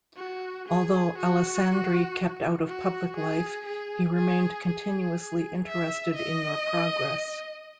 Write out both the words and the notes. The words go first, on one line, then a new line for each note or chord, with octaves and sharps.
Although Alessandri kept out of public life, he remained continuously interested in your progress.
F#4
G#4
F#4
F#4
G#4
G#4
G#4
G#4
E5
D#5